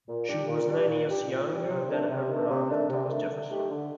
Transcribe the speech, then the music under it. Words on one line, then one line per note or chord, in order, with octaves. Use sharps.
She was nine years younger than her brother Thomas Jefferson.
A#2
G3 D4 G4
A#2
G3 D4 G4
A#2
G3 D4 G4
A#2
G3 D4 G4
C3
D#3 A3 D4
C3
D#3 A3 D4
C3
D#3 A3 D4
C3
D#3 A3 D4
D3
A3 D#4 G4
D3